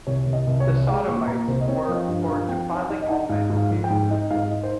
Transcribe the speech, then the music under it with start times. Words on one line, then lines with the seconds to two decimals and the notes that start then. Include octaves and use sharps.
The Sodomites were for defiling all men who came into their city.
0.07 C2 C#5
0.26 C2
0.33 D#5
0.47 C2
0.60 C#5
0.67 C2
0.87 G#3 F5
1.08 A#2 C#6
1.27 A#2 A#5
1.48 C2 C5
1.61 D#5
1.68 C4 C#5
1.88 F3
1.95 D#5
2.08 G2
2.22 F5
2.28 F3
2.48 C4 G5
2.70 D#4
2.75 C#5
2.89 D#4
3.02 D#5
3.10 D#4
3.29 G#2 F5
3.50 G#2
3.57 F5
3.70 F3
3.84 G5
3.90 G#2
4.11 D#4
4.30 G#2 F5
4.37 D#5
4.51 D#4
4.63 C5